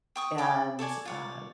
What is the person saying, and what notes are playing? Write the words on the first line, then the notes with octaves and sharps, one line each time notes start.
and, uh
G5 C#6 D#6
G5 B5 D6
A4 C#5 D5 G#5
F4 C#5 D5